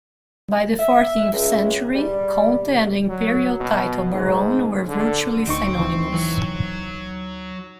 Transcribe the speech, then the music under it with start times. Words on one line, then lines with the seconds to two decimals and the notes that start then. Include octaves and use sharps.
By the fourteenth century, "conte" and the Imperial title "barone" were virtually synonymous.
0.79 E5
1.32 C#2
1.95 G3
3.09 F#3
3.60 B2
4.14 G#2
4.88 D3
5.47 D2 C4 D#4 C#6
5.79 E3 F3
6.14 E3 F#3